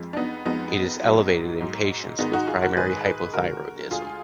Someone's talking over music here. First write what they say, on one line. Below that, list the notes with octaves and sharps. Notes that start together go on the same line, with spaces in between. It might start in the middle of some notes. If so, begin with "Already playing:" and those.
It is elevated in patients with primary hypothyroidism.
Already playing: F2 F3 G#3
D4
B3 D#4
F2 F3 G#3 B3 D#4
G#2 F#3
G#2 F#3
G#2 D#3 G#3 B3 D#4
D#4 F#4
F4 G#4
F#4 A#4
G#2 D#3 G#3 G#4 B4
G#4 B4
D2 D3 G#3 F#4 A#4
D2 D3 G#3 F4 G#4